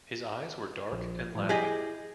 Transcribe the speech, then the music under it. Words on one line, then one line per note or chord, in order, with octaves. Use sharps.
His eyes were dark and laughing.
A#1
A2 F3 G3
E4 G4 G#4 D#5 A#6